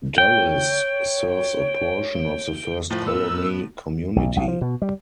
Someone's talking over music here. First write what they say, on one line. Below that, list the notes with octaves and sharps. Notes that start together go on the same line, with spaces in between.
Dulles serves a portion of the First Colony community.
C#5 G5
A2 F3 A#4 C5
B3 A#4 E6
B1
B1
F3
B2
G3